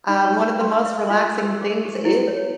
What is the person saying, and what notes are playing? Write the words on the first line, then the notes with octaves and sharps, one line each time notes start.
Um, one of the most relaxing things, e
D#4
C#6
C6
E5
F4
E6
G#4
G4
E4
C#5